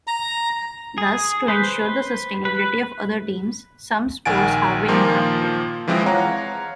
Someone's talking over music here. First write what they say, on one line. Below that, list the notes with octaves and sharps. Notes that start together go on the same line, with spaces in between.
Thus, to ensure the sustainability of other teams, some sports have been interrupted.
A#5
G#4
B4 C5
B4
A#1 D#3 F#5 G#5 A6 D7
A#2 D#3 F3 A#3 F4 A#4
E3 F3 G#3 C4
C#5 F5 F#5 A#5